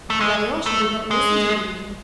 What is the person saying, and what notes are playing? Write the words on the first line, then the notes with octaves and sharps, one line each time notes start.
But Alyosha did not listen to the reading.
A3
G#3
A3
G#3